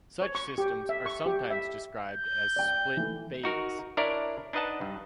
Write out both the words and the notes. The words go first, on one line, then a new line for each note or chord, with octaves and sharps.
Such systems are sometimes described as split-phase.
C#5
C#6
G4
E5
C#6
G4
E5
G6
D5 G5
E3 A3
D#4 F#4 A#4
D4 E4 A#4 C#5 D5
D4 D#4 B4 D#5 F#5 A5
G2